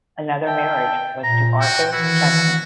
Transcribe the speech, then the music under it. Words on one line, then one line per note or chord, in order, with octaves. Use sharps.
Another marriage was to Arthur Chesney.
E5 G5 A5
A#2 A#5
F#4 G5
D#3 E3 E4 F#4